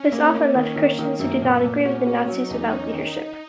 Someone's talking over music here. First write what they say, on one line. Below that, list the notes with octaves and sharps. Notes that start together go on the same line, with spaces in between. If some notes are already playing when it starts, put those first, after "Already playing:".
This often left Christians who did not agree with the Nazis without leadership.
Already playing: C#4
A#3
A#3
D#3 C#4
D#3
A#3
D#3
A#3
F#2
A#2 B3
A#2
C#4
F#4
C#4
F#4
F#3 D#4
E2
C#4
D#3